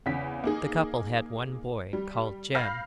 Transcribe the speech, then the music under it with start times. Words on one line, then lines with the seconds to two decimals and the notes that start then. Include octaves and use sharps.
The couple had one boy called Jem.
0.06 E2 C#3 B6
0.44 A#3 D#4 G#4
1.93 G3
2.55 F5 B5 F6 G6 A#6 C7